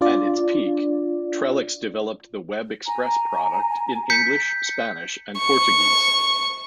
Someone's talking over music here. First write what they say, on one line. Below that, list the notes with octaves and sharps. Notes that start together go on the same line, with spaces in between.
At its peak, Trellix developed the Web Express product in English, Spanish, and Portuguese.
D4 F4 D5
G#5 A#5
G6 B6 C#7
C#6